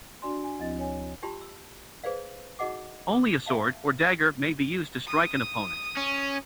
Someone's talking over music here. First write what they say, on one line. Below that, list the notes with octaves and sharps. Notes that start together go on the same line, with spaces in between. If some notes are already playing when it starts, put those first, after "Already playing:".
Only a sword or dagger may be used to strike an opponent.
D4 F#4 D5 G#5 C6
G#5
D2 F3 C4 E4 D#5 A6
C#5 G#5
D4 F4 G4 A5 B5 C6
E6
G#4 B4 C5 D5 F5
D#4 F#4 G#4 D#5 F#5 D6
D6
D4 E5 F5 A5
D#6
C#4